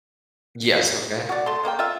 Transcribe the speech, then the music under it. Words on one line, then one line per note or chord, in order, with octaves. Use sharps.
Yes, okay.
F#4 D5
A3 C6
G#3 A#3 C5 G5
F4 E5